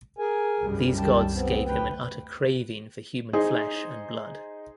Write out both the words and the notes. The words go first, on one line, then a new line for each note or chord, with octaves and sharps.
These gods gave him an utter craving for human flesh and blood.
G#4 A#4 G#5
C2 F#2 G3
D#3 G5 A5
B3 C4
D2 B4 G5
D#4 G#4 C5 D#5